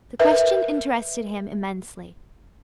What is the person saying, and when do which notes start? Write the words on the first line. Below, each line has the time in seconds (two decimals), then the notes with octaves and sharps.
The question interested him immensely.
0.19 A#4 B4 E5